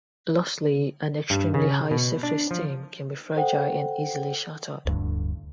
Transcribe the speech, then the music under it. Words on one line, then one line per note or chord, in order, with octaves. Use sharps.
Lastly, an extremely high self-esteem can be fragile and easily shattered.
G2
C#3
B2
D4
F3
A4 C5 F#5 G5
D1 D2 G2 D3